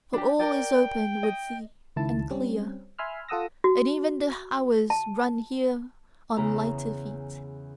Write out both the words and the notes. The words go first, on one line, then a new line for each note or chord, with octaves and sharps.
For all is open with thee and clear; and even the hours run here on lighter feet.
D4 G4
A#4 D5 G5
D#5
C#2 D#3 E4 A5
G3 C4 C#4
E5 G#5 B5 C6 E6 F6
F4 A4 F#5 D#6 E6 A#6
F#4
A5
E2 C#3 E4 A#5